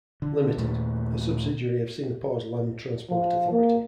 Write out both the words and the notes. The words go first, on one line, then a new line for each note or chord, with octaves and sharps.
Limited, a subsidiary of Singapore's Land Transport Authority.
D3
D#2 A#2 D#3 A3
F3
A#3